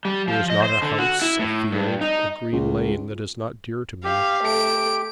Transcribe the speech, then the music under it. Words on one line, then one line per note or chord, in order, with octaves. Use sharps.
There is not a house, a field, a green lane, that is not dear to me.
G3
F3
D#5
C5
D3
F#4
E4
A2
G2
D#4
C#2
G4 F5
A3 D7